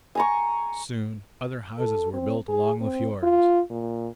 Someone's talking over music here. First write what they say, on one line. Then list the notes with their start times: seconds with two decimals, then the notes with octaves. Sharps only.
Soon other houses were built along the fiords.
0.15 G#5 A#5 C#6
1.79 A4
2.13 C4
2.48 G#4
2.81 C4
3.23 F4
3.70 A#2